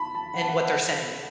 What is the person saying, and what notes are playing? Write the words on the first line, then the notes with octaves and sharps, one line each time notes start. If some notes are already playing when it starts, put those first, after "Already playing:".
and what they're saying.
Already playing: A5 B5
A5
F#5
A5
F#5